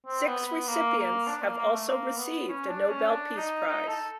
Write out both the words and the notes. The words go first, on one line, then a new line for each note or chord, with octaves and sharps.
Six recipients have also received a Nobel Peace Prize.
C4
B3
B3
A#3
A#3
D4
A#3
A#3
A3
A#3
B3
C#4
D4
C#4
D4
D#4
D#4
A4